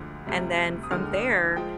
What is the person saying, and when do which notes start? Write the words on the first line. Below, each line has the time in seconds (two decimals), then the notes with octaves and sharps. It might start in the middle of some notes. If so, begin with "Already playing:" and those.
and then from there,
Already playing: D2 D3 F3 G#3
0.26 D2 C3 G3
0.83 D#6
0.91 D#2 D3 G#3 F6
1.56 F3 G#3 G5